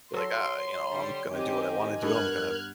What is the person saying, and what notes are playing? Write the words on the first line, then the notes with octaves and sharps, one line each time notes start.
be, like, "Ah, you know, I'm gonna do what I wanna do. I'm gonna"
F#3 A4 C#5 C6
D3 G3
D#3 C4 G4 D#5 G#5
G2 B3 A#4 F6 F#6 G#6